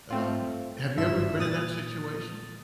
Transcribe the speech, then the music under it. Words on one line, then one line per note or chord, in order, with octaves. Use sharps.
Um, have you ever been in that situation?
A3 C4 F4
G#1 G2 F3 E5 E7
A#2 D#6 A6